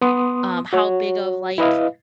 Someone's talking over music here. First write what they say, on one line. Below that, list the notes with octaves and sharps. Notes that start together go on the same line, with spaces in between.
um, how big of like,
B3 C6 D#6
F#4 C#5
E4 B4 D#5 F5